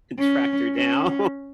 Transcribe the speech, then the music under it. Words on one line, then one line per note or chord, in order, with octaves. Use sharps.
tracked her down
C#4
C#4